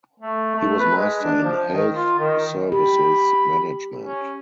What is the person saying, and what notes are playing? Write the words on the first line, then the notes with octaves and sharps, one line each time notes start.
He was Master in Health Services Management.
A3
A3
B4
G#3
D4
F3
D#3
F4
D#3
G4 B5
C#4